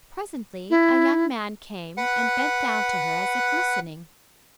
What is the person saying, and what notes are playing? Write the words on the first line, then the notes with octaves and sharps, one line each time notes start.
Presently a young man came and bent down to her as if listening.
E4
B4 F#5